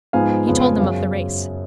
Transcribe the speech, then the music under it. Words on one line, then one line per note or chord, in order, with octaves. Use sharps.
He told them of the race.
G#2 F3 B3 D#4 F5 G#5
F2 C#3 G#3 B3 F4
F#2 C#3 F#3